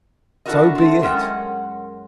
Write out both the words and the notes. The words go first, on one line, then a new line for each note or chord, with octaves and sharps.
"So be it."
D4 E4 F#4 A4 A#4 D#5
A3 C4
F#2 G#3 C#4 A#4 F#5 G5